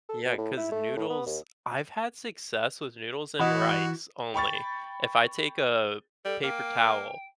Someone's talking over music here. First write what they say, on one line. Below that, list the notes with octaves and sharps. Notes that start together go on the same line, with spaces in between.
Yeah, 'cause noodles I've had success with noodles and rice only. If I take a paper towel,
A4
B2
A2
E4
A3
A2
B3
D#2
E3 F#4 D#5 F#5 B5
G5 B5 C#6 A6
G3 A4
A#3 G5